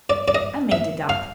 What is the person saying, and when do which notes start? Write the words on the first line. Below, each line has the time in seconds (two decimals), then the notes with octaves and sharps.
I made it up.
0.10 D5
0.28 D5
0.35 D#5
0.72 E5
1.09 F5